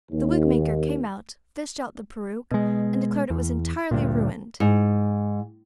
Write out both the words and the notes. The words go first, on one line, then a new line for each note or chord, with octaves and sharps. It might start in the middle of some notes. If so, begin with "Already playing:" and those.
The wig-maker came out, fished out the peruke, and declared it was entirely ruined.
D#2
B2 G#3
E2
D2 G2 A#2
G#2